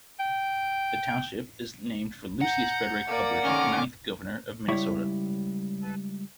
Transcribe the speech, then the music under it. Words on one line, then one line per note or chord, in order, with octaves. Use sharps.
The township is named for Lucius Frederick Hubbard, ninth Governor of Minnesota.
G5
F#5 A#5 G6
A#3 D5 D6
D3 D#3 C#4 D6 F6
C#2 G3 E4 C#5